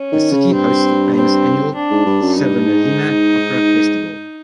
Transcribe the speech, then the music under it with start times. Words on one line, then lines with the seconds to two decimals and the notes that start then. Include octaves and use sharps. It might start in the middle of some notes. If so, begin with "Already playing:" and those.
The city hosts the famous annual Savonlinna Opera Festival.
Already playing: C#4
0.12 D#3
0.32 C#3
0.52 G2 C4
1.14 C4
1.75 D4
1.91 G#2
2.06 G2
2.21 F#2
2.37 G2 D#4
2.67 G#2